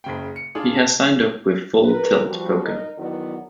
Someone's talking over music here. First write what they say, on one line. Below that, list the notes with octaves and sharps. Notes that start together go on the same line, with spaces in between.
He has signed up with Full Tilt Poker.
F#1 C#3 G5
C#7
D4 F4 G#4
A5 B6
A#4 B4
F3 G3 F#4
D#4 A#4 D#5
E2 D#3 F#3 B3 E4 D5